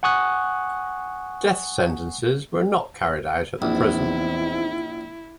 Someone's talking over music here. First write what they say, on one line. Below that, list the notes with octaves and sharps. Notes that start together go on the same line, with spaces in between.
Death sentences were not carried out at the prison.
F#5 G#5 C#6 D#6 F#6
A#1 E2 C4 D#4 E4